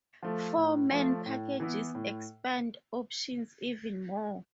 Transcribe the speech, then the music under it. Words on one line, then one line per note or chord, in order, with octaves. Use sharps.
Four-man packages expand options even more.
F3 A3
A2
F3 A3
A2
E3 B3 E4
A2